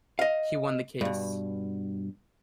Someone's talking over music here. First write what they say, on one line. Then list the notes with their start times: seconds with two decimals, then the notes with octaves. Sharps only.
He won the case.
0.19 D#5 F5
1.01 G2 B2